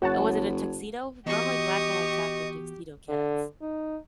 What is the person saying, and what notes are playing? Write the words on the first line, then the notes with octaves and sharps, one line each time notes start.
Oh, was it a tuxedo? Normally, black and white cats are tuxedo cats.
F#1 F#4 C#5 F#5 A5
E3 B3 F#4 G4 D#5 C#6 D#6
D3
D#4